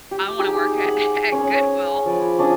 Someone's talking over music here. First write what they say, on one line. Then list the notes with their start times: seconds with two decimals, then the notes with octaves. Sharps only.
I wanna work at at Goodwill,
0.11 G4
0.39 D#4 G4 G#4
0.84 G#4 F#5
1.32 C#4 C#5
2.06 F3 D5 G#5 B5
2.39 C#4 D4 F4 D#5